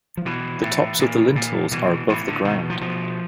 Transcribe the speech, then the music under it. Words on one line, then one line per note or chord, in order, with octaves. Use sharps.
The tops of the lintels are above the ground.
F3
B2 E3
A2
A#2
A#2
B2 E3
A2 E3
D3
B2 D#3
F3
B2 F3